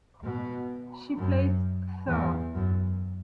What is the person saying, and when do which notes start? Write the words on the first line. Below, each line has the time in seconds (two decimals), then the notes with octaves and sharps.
She placed third.
0.24 B2
1.16 F#2
2.08 E2
2.54 F#2